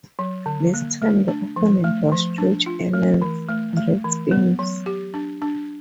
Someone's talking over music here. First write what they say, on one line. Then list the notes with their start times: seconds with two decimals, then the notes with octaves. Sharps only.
This time, the opponent was George Allen's Redskins.
0.19 F#3
0.46 D3
0.74 A#3
1.02 A3
1.28 D4
1.56 F3
1.84 A3
2.12 F3
2.38 D4
2.66 F4
2.94 A3
3.22 E3
3.48 A3
3.77 A3
4.04 E3
4.31 B3
4.59 F#3
4.86 G4
5.14 D4
5.42 D4